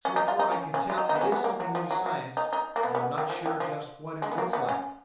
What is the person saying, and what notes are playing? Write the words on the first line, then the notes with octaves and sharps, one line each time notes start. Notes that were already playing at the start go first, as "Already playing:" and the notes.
So far I can tell, it is something new to science and I am not sure just what it looks like.
C#4
D#4
F4
D#4
C#4
C#4
F4
D#4
D#4
B3
C#4
B3
A#3
F#3
F3
F#3
F#3
D#4
D#4
A#3
B3
B3
D#3
F3
D#3
F3
G#3
B3
A#3
B3
C#4